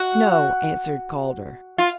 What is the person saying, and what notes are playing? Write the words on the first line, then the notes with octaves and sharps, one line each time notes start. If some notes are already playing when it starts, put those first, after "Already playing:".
"No," answered Calder.
Already playing: F#4
F4